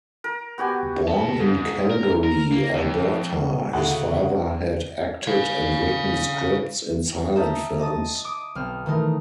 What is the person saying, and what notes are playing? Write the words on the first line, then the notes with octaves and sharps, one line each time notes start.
Born in Calgary, Alberta, his father had acted and written scripts in silent films.
A#4
B3 F#4 G4 G#5
B4 A5
G#2
A#4
A#4
A#3
F2
D2 A2 C#3 F#5
C#5 F5
D#5 E5 A5 A#5 G6
D#5 A5 D#6
D6 D#6 D7
B1 C4 F6
D#3 E3 A3 A#4